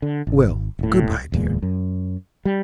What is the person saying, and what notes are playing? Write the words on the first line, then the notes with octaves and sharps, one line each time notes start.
Well, good-bye, dear.
D3
G#1
D#1 A2
D1 E2 A#2 G#3
F#2
G3